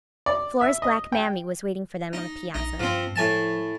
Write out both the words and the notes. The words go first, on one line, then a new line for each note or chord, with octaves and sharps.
Flora's black "Mammy" was waiting for them on the piazza.
D5
E5
D#5
G5
D#4
A#1 D#4
G2 F3 C4
A2 F3 G#5 A5